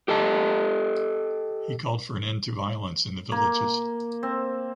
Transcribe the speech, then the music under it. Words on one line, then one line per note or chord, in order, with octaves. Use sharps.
He called for an end to violence in the villages.
G4 A4 D#5 A5
A#3
C4